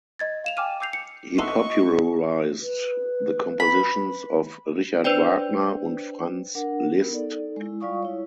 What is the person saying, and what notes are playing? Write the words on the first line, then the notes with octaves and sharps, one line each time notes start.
He popularised the compositions of Richard Wagner and Franz Liszt.
D#5 G#6 A6
F5 E7 F7
G5 G#5 D6 F6 D#7
D6 E6 G6 C7 F7
C#7
D#4 A4 D#5 E5 F#5 C6 C#6
B4
B5
D4 B4 C5 D5 G5
D4 A#4 F#5
B3 A#4
D#4 A4 D5
G#3 E4
G3 F4 D5 F5 C#6 D#6
E4 C#5